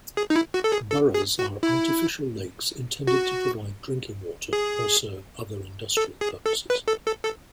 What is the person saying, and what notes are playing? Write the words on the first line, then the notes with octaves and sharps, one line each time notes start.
Boroughs are artificial lakes intended to provide drinking water or serve other industrial purposes.
G#4
D#4
E4
F#4
A4
G#4
A4
G#4
F#4
E4
F#4
G#4
A4
G#4
A4
B4
A4
A4
A4